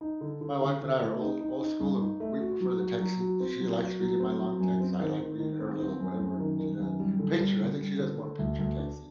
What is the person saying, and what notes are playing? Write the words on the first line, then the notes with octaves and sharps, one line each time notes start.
My wife and I are old old school, and we prefer the texting. She likes reading my long text. I like reading her a little whatever she does, picture, I think she does more picture texting.
D#4
D3
D3
D3
D3
A3
D#4
D#4
D#4
G2
D#4
A3
F#4
F#3
F#4
F#3
F#4
C4
F#3
F#4
F#3
C4
F#3
F#2
C4
D#3
D#3
D#3
C4
C4
F#2
F#2
D#3
D#3
F#2
G3
D3
G3
D3
G3
D3
D3
D2
D2
D4